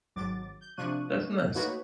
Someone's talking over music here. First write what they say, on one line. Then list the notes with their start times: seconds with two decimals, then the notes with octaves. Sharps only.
That's nice.
0.16 G#1 F#3 D6 A6
0.61 G6
0.77 C3 F3 D4 C#6 F#6 D#7
1.55 A3 A#3 D#4 F#4 B4 C#5